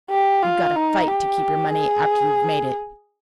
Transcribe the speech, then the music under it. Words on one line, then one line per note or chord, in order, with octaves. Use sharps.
You got to FIGHT to keep your money after you've made it.
G4
F4
D#4
G4
G#4